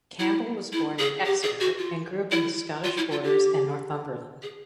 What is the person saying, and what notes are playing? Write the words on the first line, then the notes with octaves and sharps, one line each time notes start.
Campbell was born in Exeter and grew up in the Scottish Borders and Northumberland.
E4
E4
G#4
G4
G#4
F#4
F4
E4
F4
E4
F4
G4
G#4